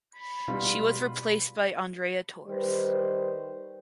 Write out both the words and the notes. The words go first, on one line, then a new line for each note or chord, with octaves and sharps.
She was replaced by Andrea Torres.
B5
B2 G3 G#3 F4
D#3 G3 B4 C5